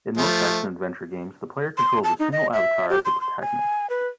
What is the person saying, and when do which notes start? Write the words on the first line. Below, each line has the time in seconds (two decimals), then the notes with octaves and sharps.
In most action-adventure games, the player controls a single avatar as the protagonist.
0.17 F3 A3
1.78 C6
2.04 A5
2.20 D#4
2.32 D#5
2.53 E5
2.90 G4
3.05 C6
3.21 C6
3.41 G#5
3.90 B4